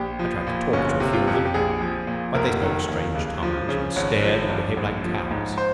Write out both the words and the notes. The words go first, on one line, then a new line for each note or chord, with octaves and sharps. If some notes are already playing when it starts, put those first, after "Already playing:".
I tried to talk to a few of them, but they spoke strange tongues, and stared and behaved like cows.
Already playing: A#1 G4
F3
A#2
G1 C#4
C3
F4
F2
G4
G4
A#1 G#4
F3
A#2
F1 A#4
D#3
D#2
C#2
F3
C#3
G#1 C#5
F3
G2
A#1
F3
G#2
C5